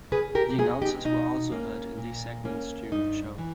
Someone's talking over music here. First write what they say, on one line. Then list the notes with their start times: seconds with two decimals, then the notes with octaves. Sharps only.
The announcers were also heard in these segments during the show.
0.11 C#3 G#4 B4
0.35 G4 A#4
0.50 G4
0.58 G#3 B3 E4 G#4
0.82 D#4 G4
1.05 B2 D#4
1.52 A#3 C#4
1.98 A#2
2.45 A#3 C#4
2.92 G2 D#4
3.38 E3